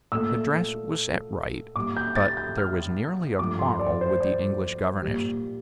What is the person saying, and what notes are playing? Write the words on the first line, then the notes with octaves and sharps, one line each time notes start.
The dress was set right, but there was nearly a quarrel with the English governess.
A#2 A3 E6
A#2 G3 D6
G6
A6
G6
F6
G2 F3 A3 D6
C6
D5
C5
D5
A#2 G3